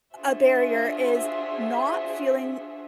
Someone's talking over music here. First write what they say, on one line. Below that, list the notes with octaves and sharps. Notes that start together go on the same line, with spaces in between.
a barrier is not feeling
D4 F4 F#4 G#4 C5 E5